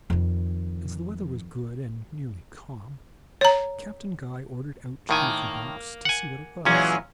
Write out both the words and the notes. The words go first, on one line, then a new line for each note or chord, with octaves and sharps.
As the weather was good and nearly calm, Captain Guy ordered out two of the boats to see what it was.
F2 D#3
C#5 A#5
A2 D#3 A#3 G#5
F#5 G#5
A#2 E3 F#3 G#3 C#4